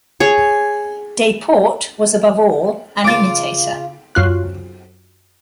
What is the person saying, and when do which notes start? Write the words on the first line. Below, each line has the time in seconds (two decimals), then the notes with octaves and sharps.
Desportes was above all an imitator.
0.20 G#4 C#5
3.04 C#3 F4 D6 A6
4.15 F#2 F4 F#6